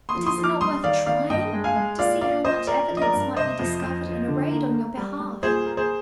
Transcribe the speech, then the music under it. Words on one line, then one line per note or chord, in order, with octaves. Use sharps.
'But is it not worth trying, to see how much evidence might be discovered and arrayed on your behalf?
C6 D#6
F3
C6 D#6
F3
D6 F6
G3 C6 D#6
D#3 D5 F5
D#3 D5 F5
G2 D#5 G5
G#3
F5 G#5
G#3
A#2 D5 F5
A#2 D5 F5
A#2 C5 D#5
A#3 A#4 D5
F3
D#5
A#4 D5
G2
C3 C5 D#5
F2
F2
F3
D3
A#3
A#3
G3
G3
A#2 G#4 C5
A#3
G#4 C5